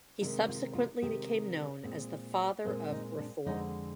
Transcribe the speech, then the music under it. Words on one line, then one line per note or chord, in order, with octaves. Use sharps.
He subsequently became known as the Father of Reform.
C3 D#3 G#3 C4 D#4
F4
F4
C3 D#3 G#3 C4 G4
A#2 G#3 C4
A#2 G#3 C4 C5
D#4
D4
F2 D3 G#3 C4 D#4